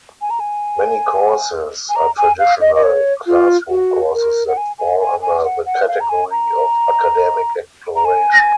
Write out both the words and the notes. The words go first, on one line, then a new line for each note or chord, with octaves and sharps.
Many courses are traditional classroom courses that fall under the category of "Academic Exploration".
G#5
A#5
G#5
G#5
A#5
G#5
F5
D#5
D#5
C#5
F4
F#4
A#4
F#5
G#5
G#5
G#5
G#5
F#5
F#5
F5
A#5
G#5
A#5
A#5
G#5